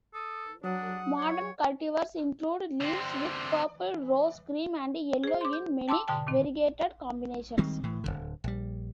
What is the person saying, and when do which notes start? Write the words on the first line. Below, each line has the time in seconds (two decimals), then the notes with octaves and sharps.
Modern cultivars include leaves with purple, rose, cream, and yellow in many variegated combinations.
0.14 A4 D#6
0.64 F#3 D4 F#5 D#6
1.18 C#5 C#6
2.81 D3 C4
5.24 G#4 C5
5.41 C6 D6
5.53 G6
5.88 G5 A5 C6 D6 E6
6.08 G#2 B2 D3 G5 A5
6.27 A#2 D#3 C4
7.58 D#3 G3 G#3 C4
7.83 A2 E3
8.04 D1 C2 D3
8.44 A#1 G3